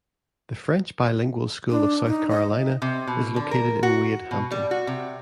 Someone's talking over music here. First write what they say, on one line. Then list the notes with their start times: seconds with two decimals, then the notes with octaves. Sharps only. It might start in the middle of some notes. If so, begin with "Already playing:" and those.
The French Bilingual School of South Carolina is located in Wade Hampton.
1.71 D4
2.07 D#4
2.29 D#5
2.82 C3
3.07 B2
3.36 D3
3.51 A#4
3.83 F#4
4.31 B2
4.51 G3
4.71 F#4
4.87 C3